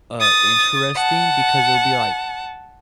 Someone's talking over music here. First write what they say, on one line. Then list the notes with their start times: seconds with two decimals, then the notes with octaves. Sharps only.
uh, interesting because it'll be, like,
0.20 D#6 A6
0.95 F#5 A5